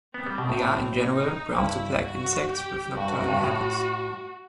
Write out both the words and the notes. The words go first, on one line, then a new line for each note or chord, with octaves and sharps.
They are, in general, brown to black insects with nocturnal habits.
B3 C4
G3
B2
A2
A2
D#4
G2 E4
F#4
G4
G2 F#4
F#2
G2
A2